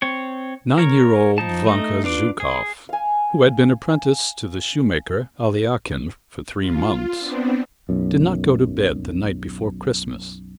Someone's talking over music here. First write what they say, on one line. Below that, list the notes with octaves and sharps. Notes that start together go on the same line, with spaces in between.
Nine-year-old Vanka Zhukov, who had been apprentice to the shoemaker Aliakhin for three months, did not go to bed the night before Christmas.
C4 C#5
A#4 C#5
F3 D#4 A5
A3 D#4 D#5
D4 F4 B4 D6
G#4
F5 G#5
F4
B3 C4 D4
B1 F#2